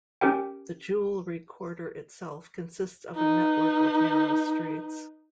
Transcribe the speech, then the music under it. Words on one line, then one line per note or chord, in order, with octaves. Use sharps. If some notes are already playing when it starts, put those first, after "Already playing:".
The Jewellery Quarter itself consists of a network of narrow streets.
C#4 G4 A#4 G5
D#4 B4